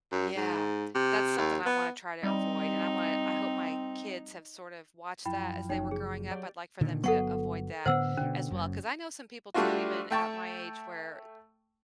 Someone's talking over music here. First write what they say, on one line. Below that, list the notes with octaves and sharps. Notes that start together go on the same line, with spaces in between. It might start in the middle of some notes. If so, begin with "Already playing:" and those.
Yeah. That's something I wanna try to avoid, and I wanna I hope my kids have sort of watched that as they were growing up, I'd like for them to avoid that as well. 'Cause I know some people too even at my age where
F#2
G#2
C3
D#2
B3
G3 C4 D#4
F#2 F3 E4 G5 B5
F#1 D#4 C#5 G5
G#4
F#3 G4 D5
A#2 D3 D#3
G1 F#3 B3 A4 F#5 C#6
A2 D3 B3 C5 F#5 E6
B2 D3 C#4
F#1 F#2
G3 A3 D4 F4 F#4
A3 G5 A5 C#6